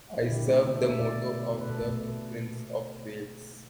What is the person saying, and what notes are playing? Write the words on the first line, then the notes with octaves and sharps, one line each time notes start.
I serve the motto of the Prince of Wales.
E4
D3 G4
A3 D4
D3 D4
E5
A3
E5
B2 D5
A3
B2
A3
B4
B2 A4
A3